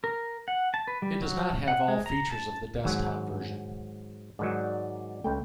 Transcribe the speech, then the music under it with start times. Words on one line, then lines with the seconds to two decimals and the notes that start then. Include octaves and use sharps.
It does not have all features of the desktop version.
0.04 A#4
0.48 F#5
0.74 A5
0.88 B4
1.02 G3
1.22 F#3
1.68 F#5
1.88 G#3
2.06 A#5
2.31 A5
2.85 G#2 D#3 F#3
4.39 G#2 D#3 F#3 D5
5.24 C#2 A3 G5